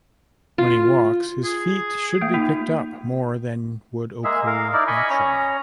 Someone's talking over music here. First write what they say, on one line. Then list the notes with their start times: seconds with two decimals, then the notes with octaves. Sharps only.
When he walks, his feet should be picked up more than would occur naturally.
0.58 F4
1.44 G#4
2.21 A3 A#3 E5
2.34 A#3 D#4 F4
4.24 G#3 A#3 G#4 E5
4.47 A#4 F5
4.73 D#4 E4 A#4 D5
4.88 D#5 G#5 B5 C#6
5.10 C#4 C#5 A#5